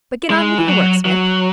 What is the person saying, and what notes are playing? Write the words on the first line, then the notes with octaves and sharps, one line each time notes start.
But get on with your work, Smith.
G#3
E3
F#3
F#3